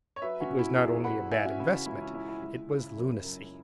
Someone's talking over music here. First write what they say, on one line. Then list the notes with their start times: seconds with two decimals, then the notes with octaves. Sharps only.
It was not only a bad investment, it was lunacy.
0.16 C#5
0.22 F#3 B4 E5
0.40 C#4 F#4
0.50 B2
0.59 E4
0.77 E2 E4 G#4
1.04 E2 F#5 B5
1.32 E3 E5 G#5
1.45 C#4 F#4
1.59 C#3 E4
1.86 C#2 E4
2.01 C#4
2.14 C#2 E4
2.28 E4
2.42 G#3
2.69 C#3
2.97 F#2
3.23 F#2